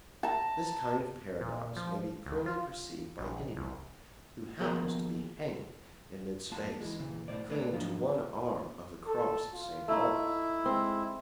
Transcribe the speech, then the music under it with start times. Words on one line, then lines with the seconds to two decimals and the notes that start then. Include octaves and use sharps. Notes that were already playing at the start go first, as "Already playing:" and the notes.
This kind of paradox may be clearly perceived by anybody who happens to be hanging in mid-space, clinging to one arm of the Cross of St. Paul's.
0.23 A5 A#5
1.41 A#2
1.76 F3
2.26 C#2
2.46 F4
3.18 A#1
3.56 C2
4.59 D#2 B2 F3 G#4 A#4 G5
6.51 F2 A#3 F4 A5
6.80 E3 F#3 G#3
6.99 D#2 A#2 C#3 E3
7.28 B1 A2 C5 D5
7.49 A3 A#3 B4 C#5 D5
7.73 G#2 F3 F#3 D4 D#4 F4
9.07 A4
9.53 F4
9.88 A3 D#4 E4
10.66 G#3 C4